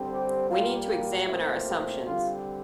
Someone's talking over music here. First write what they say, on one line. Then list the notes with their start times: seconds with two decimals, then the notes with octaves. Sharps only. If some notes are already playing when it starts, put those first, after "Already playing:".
We need to examine our assumptions.
Already playing: D3 G3 C4
0.12 G4
0.50 A#2 G3 A#3 F4
1.27 A#2 A3 C4 E4
1.66 G4
2.04 D3 G3 C4 F4